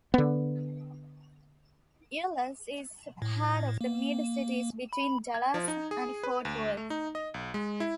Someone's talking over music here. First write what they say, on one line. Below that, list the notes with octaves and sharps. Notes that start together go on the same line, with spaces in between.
Euless is part of the Mid-Cities between Dallas and Fort Worth.
D3 B3
A2
A#3
B5
G#6
F3
D#4
G#4
B4
D2
A3
D#4
D#5
B1
G#3
E4